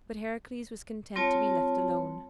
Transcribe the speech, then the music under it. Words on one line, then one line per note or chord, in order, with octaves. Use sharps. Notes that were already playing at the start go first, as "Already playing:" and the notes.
But Heracles was content to be left alone.
G3 C4 F4 C#5 A5